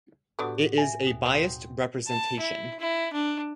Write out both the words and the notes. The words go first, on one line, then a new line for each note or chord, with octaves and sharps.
It is a biased representation.
A2 D3 B3 F#4 G4 A4 D5
E5 G#5
D#2 B2
F#3 G#3 C4
A5
E4
E4
D4